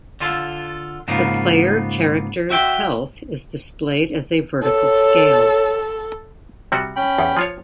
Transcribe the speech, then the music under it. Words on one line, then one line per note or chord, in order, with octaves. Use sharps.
The player character's health is displayed as a vertical scale.
D3 F4 A4
G#2 C#3 F3 A#3 B3
F#4 E5 G5
A4 C#5
C3 G3 F#4
C#4 G5 B5
E2
F3 F4 C#5